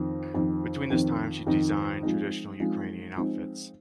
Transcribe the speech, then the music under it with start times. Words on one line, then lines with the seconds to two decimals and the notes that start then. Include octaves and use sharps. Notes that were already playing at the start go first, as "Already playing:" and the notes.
Between this time she designed traditional Ukrainian outfits.
Already playing: F2 D#3 C4 D#4
0.34 F2 D#3 C4 D#4
0.90 F2 D#3 C4 D#4
1.47 F2 D#3 C4 D#4
2.03 F3 G#3 C4 D#4
2.60 F3 G#3 C4 D#4
3.16 F3 G#3 C4 D#4